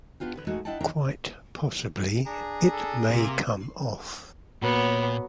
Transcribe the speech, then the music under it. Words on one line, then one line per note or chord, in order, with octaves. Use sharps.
Quite possibly it may come off.
B3 D4 F4 G4
D3 B4
G#3 A3 D#4 F#4 G#4
D4 E4 D#5 F#5 G5 A5
D#3 D4 E4 G5 A#5
D4 G#4 A#5
A4
C3 A#3
A#2 F#3 B3